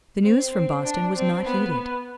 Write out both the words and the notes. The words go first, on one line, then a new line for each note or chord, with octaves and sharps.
The news from Boston was not heeded.
C4
C4
D4
C4
B3